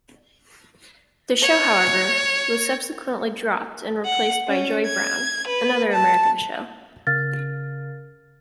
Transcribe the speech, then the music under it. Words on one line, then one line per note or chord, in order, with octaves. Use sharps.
The show, however, was subsequently dropped and replaced by Joy Browne, another American show.
C#5
F#5
C#4
G#6
B4
A5
C#3 A#4 F5 F6 A6